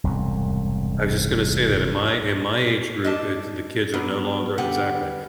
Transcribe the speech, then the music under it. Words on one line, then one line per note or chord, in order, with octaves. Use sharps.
I just gonna say that in my in my age group, eh the kids are no longer exactly.
E1 C2 F2 G#2
D#4 D5 A5
F#3 B3 D4
D3 G3 B3 G4 F#5